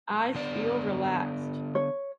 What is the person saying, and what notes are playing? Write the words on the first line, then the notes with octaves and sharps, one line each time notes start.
I feel relaxed.
D3 B3 D5
C#5